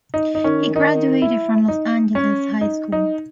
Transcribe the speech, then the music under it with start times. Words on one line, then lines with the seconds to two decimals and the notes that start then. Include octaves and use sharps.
He graduated from Los Angeles High School.
0.14 D#4
0.35 D#4
0.44 D#3 C#4
0.75 D#3 D#4
1.22 E4
1.68 D#4
2.15 C#4
2.61 D#4
2.92 D#4